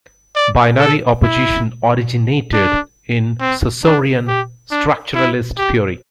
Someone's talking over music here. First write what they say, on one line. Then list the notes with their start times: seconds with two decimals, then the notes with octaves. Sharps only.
Binary opposition originated in Saussurean structuralist theory.
0.36 D5
0.79 A4
1.23 E4
2.53 D4
3.40 C4
3.84 D4
4.28 G4
4.71 D4
5.15 E4
5.58 G4